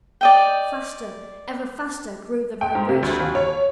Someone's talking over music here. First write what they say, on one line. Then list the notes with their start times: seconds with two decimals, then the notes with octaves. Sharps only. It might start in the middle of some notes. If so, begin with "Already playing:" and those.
Faster, ever faster grew the vibration.
0.21 D5 D#5 G5
2.61 G5
2.75 G#2
2.89 C3
3.03 D2
3.20 D#2
3.35 C#5